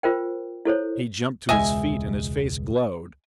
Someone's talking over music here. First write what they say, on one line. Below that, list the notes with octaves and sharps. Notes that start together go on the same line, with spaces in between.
He jumped to his feet, and his face glowed.
F4 A#4 C5 G5
E4 A4 C5 C#5
E1 C#2 G#3 D#5 E5 G#5